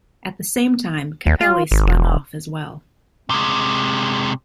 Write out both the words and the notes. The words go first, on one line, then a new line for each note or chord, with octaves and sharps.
At the same time, Capelli spun off as well.
D#2
F4
G#1
E1
C3 G#3